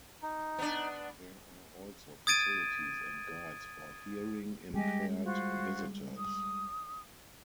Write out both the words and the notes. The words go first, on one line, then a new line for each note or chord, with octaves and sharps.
There are also facilities and guides for hearing impaired visitors.
D#4
B3 D4
D#6 G#6 A6 D7 D#7
G3 G#3 G4 D#5 G#5
F4 F#4 C5
D#6